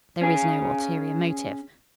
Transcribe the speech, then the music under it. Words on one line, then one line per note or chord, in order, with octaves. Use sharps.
There is no ulterior motive.
C#4 G#4